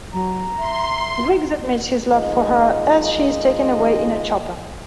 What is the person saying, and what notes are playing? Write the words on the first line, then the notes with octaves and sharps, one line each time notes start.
Riggs admits his love for her as she is taken away in a chopper.
F#3 A#5
E5 C6
F2 D#3 G#3 F4 D#5